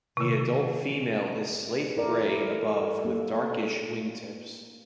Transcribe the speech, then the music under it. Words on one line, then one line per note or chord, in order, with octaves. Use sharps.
The adult female is slate-grey above with darkish wingtips.
C3 D#3
E4 A4 A#4 D5
A#3